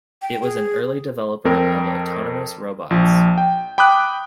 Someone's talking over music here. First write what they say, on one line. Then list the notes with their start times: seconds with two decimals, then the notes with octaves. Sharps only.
It was an early developer of autonomous robots.
0.22 G5
0.42 G#4
1.45 F2 C4 A#4
2.90 A#1 F3
3.38 G5
3.78 G5 B5 D6 D#6 F#6